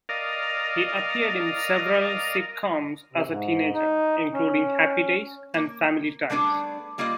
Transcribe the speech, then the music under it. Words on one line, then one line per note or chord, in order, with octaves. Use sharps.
He appeared in several sitcoms as a teenager, including "Happy Days" and "Family Ties".
A#4 D5 D#5 F5
C3
G#2
D#4
C#4
A#3
G3 A3 B3 D4 F4 G#4
G3 A#3 F4 D5 D#5